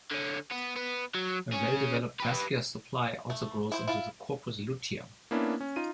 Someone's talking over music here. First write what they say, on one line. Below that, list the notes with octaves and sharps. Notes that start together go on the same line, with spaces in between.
A well-developed vascular supply also grows into the corpus luteum.
D3 C#4
B3
B3
F#3
C#4 G#4
G4 B4
A3
E4 C5
E4 F4
A#3 B3 C#4 D4 E4
C#4
D#4 F4 D#7